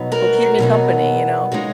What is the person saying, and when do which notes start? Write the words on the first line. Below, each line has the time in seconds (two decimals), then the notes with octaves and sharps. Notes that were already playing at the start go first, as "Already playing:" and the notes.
it'll keep me company," you know?
Already playing: B2 F#3 B3 D#4
0.12 F#4 A#4
0.58 B2 F#3 B3 D#4
1.52 C#3 G#3 D#4 F#4